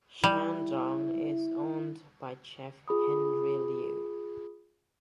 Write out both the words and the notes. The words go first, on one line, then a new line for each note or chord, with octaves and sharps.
Shandong is owned by chef Henry Liu.
G3 E4
F4 G#4 B5 D#6